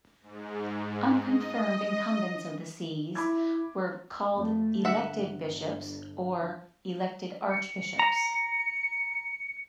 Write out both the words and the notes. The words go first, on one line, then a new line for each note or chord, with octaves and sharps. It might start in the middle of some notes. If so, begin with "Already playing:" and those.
Unconfirmed incumbents of the sees were called "Elected Bishops" or "Elected Archbishops".
G#2
D#5
E4 B5 D6 G#6
F2 A3
G1 E5 F#5
C#7
A#5